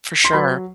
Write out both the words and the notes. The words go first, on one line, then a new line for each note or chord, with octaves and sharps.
For sure.
C6
F#3 B4 B5